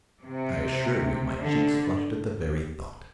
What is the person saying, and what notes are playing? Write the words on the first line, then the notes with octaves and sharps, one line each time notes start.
I assure you my cheeks flushed at the very thought.
C3
D3